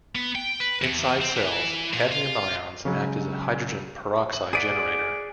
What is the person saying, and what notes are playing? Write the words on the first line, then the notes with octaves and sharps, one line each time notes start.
Inside cells, cadmium ions act as a hydrogen peroxide generator.
B3
G5
B4
E2
C4
E3
A#2
F4
C#3 F#3 G#3
F#7
G#4 D5 F#5 B6 D7 D#7